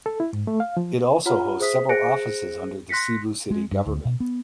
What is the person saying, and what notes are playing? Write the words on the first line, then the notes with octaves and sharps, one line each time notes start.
It also hosts several offices under the Cebu City Government.
A4
E4
G#2
A3
F5
F3
F4 C#5 F#5 A#5 B5 F6
G#4 C5 E5 D#6 B6
G#4 C5 F#6 A#6 C#7 D7
C6 F#6 A#6 B6 C#7
G#3
G2
D2
B2
B3